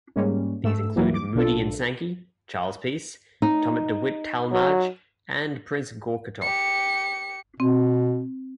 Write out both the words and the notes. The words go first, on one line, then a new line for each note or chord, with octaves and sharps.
These include Moody and Sankey, Charles Peace, Thomas De Witt Talmage and Prince Gortschakoff.
G#2 G3 G#3 A#3 C#4
G#2 A3 E6
D#2 E3 F#3 G3 A#3
D6
B1 D4 F4 A4
D#4
F#3
G4 C#7
B2 C4